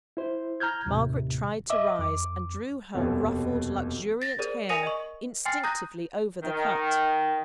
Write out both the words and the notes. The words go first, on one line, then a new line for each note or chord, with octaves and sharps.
Margaret tried to rise, and drew her ruffled, luxuriant hair instinctly over the cut.
E4 C5
A#5 F6 G6 G#6
D#2 A2 C3 D#3
D#5 E5 D6
F2 D6
F1 D#2 B2 C#4 A4
A6 A#6
G#4 A#4 C5 D5
A#4 G#5 D#6 A#6 D#7
D#5 C#6
G5 G#5 C6 F6 A6 C7
A#5 D#6 F#6 G6 A#6
D#3